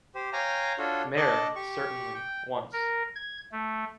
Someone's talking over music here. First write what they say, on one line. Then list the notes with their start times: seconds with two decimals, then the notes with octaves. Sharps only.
Maire, certainly, once...
0.15 G4 C5
0.33 C#5 F5 G5 G#5 A#5
0.78 D4 F4 F#4 A4 C#5
1.16 D4 A4 D5 D#5 A5
1.56 G4 C#6
2.14 G5
2.73 A#4
3.15 G#6
3.52 A3